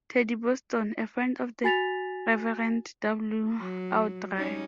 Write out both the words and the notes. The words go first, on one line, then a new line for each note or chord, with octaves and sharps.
Teddy Boston, a friend of the Reverend W Awdry.
F#4 G#5 A6 B6 F7
F#3
G3 C#4 D#4